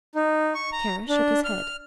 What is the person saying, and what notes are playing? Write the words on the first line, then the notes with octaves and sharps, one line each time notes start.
Kara shook his head.
D#4
C#6
A#5
D4
F6